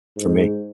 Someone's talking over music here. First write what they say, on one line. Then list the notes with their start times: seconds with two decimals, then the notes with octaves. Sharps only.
for me.
0.16 G#2